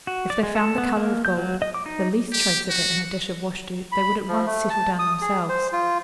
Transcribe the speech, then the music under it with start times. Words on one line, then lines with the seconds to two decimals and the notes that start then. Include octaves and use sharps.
If they found the colour of gold, the least trace of it in a dish of wash-dirt, they would at once settle down themselves.
0.07 F#4
0.30 D5
0.43 G#3
0.55 A4
0.78 B3
0.96 A#3
1.25 G6
1.37 F#3
1.62 D#5
1.74 D6
1.86 D#4
2.32 G4
2.69 F#4
3.92 B5
4.28 F3
4.46 A3
4.70 A5
4.99 D#6
5.21 G#4
5.49 C5
5.72 F4